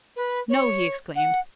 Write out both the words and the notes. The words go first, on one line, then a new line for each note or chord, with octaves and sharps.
"No!" he exclaimed.
B4
C#5
F#5